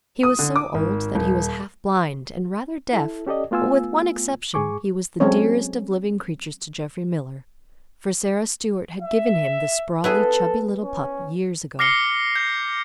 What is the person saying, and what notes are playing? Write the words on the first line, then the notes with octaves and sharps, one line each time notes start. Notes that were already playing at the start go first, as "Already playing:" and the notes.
He was so old that he was half-blind and rather deaf, but, with one exception, he was the dearest of living creatures to Jeffrey Miller, for Sara Stuart had given him the sprawly, chubby little pup years ago.
D#6
D3
D6
G#1
D#1
E4 A4
C#4 G4 A4 D5 D#5
A3 B3 F4 G#5 E6
G#2 G#4 G#5 C#6 D6
F#3 G#3 C4 C#4 A4 C#5
E5
B3 E4 G#4 A4
C#4
D6 F6 A#6 C7 C#7 G7
G6